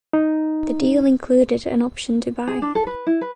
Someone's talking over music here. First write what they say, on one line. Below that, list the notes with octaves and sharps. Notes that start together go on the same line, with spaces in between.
The deal included an option to buy.
D#4
G#4
D4
A4
B4
E4
B4